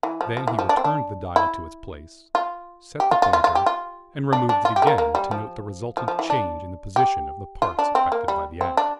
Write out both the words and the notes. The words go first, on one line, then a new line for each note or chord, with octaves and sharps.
Then he returned the dial to its place, set the pointer, and removed it again to note the resultant change in the position of the parts affected by the act.
E3
F3
F3
E3
F3
D4
C4
D4
E4
F4
G4
F4
F4
F4
F4
G4
F4
D4
D4
F4
G4
A3
A#3
A#3
G3
F3
F3
F3
E3
D4
G4
F4
D4
C4
A#3
G3
C4
D4